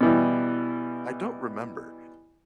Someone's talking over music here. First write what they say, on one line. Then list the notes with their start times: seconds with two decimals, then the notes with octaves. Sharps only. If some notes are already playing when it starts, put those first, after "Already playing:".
I don't remember.
0.01 B2 E3 G3